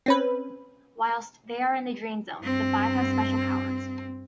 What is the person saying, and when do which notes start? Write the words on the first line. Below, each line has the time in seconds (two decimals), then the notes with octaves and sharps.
Whilst they are in the Dream Zone, the five have special powers.
0.06 C4 C#4 B4
2.40 G2 C4